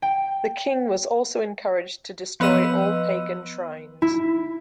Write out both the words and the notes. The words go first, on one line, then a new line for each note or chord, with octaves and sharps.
The king was also encouraged to destroy all pagan shrines.
G5
F3 B3 B4 D#5 E6 D#7
E4